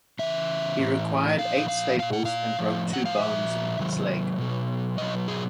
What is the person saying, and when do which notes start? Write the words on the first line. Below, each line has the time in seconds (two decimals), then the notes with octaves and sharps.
He required eight staples and broke two bones in his leg.
0.19 C#3 E3 E5
0.79 A2 E3
1.38 A#2 F3 F5
1.68 F5
1.99 A#2 F3 F5
2.13 F#5
2.25 F5
2.59 A2 F3
2.93 F#5
3.06 F5
3.18 A#2 F3 E5
3.79 C3 D#3 F#3
4.39 B2 F#3
4.98 B2 F#3 D#5
5.28 G#4